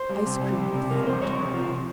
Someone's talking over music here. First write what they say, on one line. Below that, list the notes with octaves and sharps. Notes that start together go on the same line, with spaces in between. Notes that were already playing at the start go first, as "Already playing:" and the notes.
Ice Cream with Fruit.
Already playing: C5
G3
C3
G3
C3
C3
F2 A#4
F2 C5
F2 C#5
C3
F3